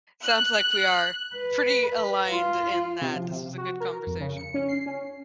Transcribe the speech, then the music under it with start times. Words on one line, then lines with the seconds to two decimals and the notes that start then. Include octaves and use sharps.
Sounds like we are pretty aligned in that. This was a good conversation.
0.22 F#6
1.35 B4
2.28 F4
3.02 C3
3.15 F3
3.31 C3
3.58 F#4
3.80 A#4
4.07 F2
4.20 C#3
4.37 C#7
4.54 C#4
4.69 C7
4.86 C#4